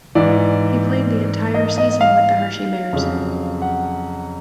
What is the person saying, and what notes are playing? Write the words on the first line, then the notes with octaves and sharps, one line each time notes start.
He played the entire season with the Hershey Bears.
G#2 E3 D5
D#5
D#5
F5
F2 C#3 F#3
F#5